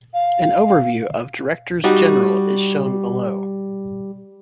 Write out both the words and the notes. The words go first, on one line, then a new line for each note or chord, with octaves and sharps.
An overview of Directors-General is shown below.
F5
G3 D#4 F#4